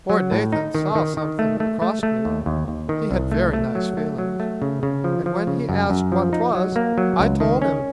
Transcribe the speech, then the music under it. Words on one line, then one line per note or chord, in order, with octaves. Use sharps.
Poor Nathan saw somethin' had crossed me,--he had very nice feelings,--and when he asked what 'twas, I told him.
F#3
A2
D#4
D#3
D#3
D#3
A3
A3
A3
A3
D#2
D#2
D#2
D#3
C2
A3
A3
F#3
A3
F#3
A3
C#3
C#3
F3
F3
C#3
F#2
F#2
F3
D#4
F#3
A#3
F#3
C#2
D#3
C#4